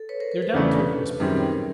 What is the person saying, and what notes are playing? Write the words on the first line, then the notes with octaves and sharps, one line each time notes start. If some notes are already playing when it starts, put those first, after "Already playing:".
"They're down to it!" whispered Breton.
Already playing: A4
B4 C#5
A#4 C5
A#4 C5
A4 B4
E2 C#3 E3 A3 D4
F#2 D#3 G3 C4 G#4 A#4
G#4 A#4